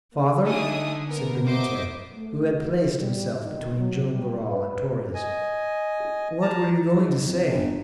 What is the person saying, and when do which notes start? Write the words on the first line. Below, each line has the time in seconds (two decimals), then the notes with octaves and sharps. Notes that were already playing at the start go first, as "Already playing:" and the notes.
"Father," said Benito, who had placed himself between Joam Garral and Torres, "what were you going to say?"
0.12 A#3
0.47 D3 A3 D#4 A4 G#5 D#6
1.09 B3 A#4
1.48 C5 D#5 E5 D6
2.15 A3
2.52 F#4
2.99 G3
3.42 D#3
3.77 F#3
4.10 G3
4.49 B4
5.14 D#5 G#5
6.41 A5 A#5
6.95 G#2
7.20 F2
7.50 G1